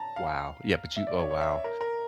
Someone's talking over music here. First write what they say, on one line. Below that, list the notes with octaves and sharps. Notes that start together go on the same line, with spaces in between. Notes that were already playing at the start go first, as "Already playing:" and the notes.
wow. Yeah, but you oh, wow.
Already playing: A5 A#5
F5
E5
D5
C#5
C#5
E5
A#4
A#4